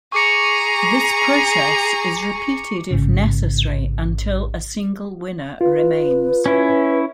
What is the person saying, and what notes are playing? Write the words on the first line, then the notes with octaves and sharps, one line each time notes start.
This process is repeated if necessary until a single winner remains.
G#4 A#5 C#6 D6 C#7
A1 G#2 C#3
F4 B4
C#4 E4